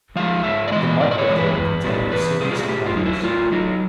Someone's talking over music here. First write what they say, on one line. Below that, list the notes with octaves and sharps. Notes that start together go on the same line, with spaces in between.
The microfilm contained a series of numbers.
F3 G#3 F5
G#2 E5
D5
E3 G#3 D#5
G#2 D5
D5
C#5
E3 G#3
B4
E2
B2 G3
E2 B4
B2 G3 G#4
F4
F#4
A2 G4
F4
F#3 D#4
E4
A2 F4
F#3 D#4